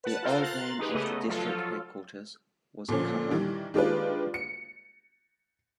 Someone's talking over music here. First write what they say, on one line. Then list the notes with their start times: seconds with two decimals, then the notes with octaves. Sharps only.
The old name of the district headquarters was Kahan.
0.04 B4 F#5 A5
0.23 F4 A4 A#4 C5 F5
0.42 A#5 C6 F#6 A6
0.79 D#4 G4 G#4 B4
0.94 C#3 A3 B3 D#5
1.28 F3 F#3 F4 A4
2.88 A#2 D3 F3 C#4
3.31 D#3 E3 G3
3.74 D#3 G#3 D4 F4 G4 B4
4.34 C#7